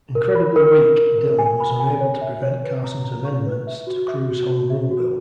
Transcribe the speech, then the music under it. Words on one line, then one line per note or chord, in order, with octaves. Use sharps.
"Incredibly weak" Dillon was unable to prevent Carson's amendments to Crewe's Home Rule bill.
A#4
B5
A#4
A#4
A#4
A#4
G#5
B5
G#5
C#5
E5
C#5
B4
A#5
A#5
C#6
B4
E5
F#4
E5
F#4
F#4
E5
F#4